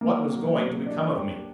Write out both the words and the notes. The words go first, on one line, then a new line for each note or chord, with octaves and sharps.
What was going to become of me?
A#3
F#3
A#3
D4
G4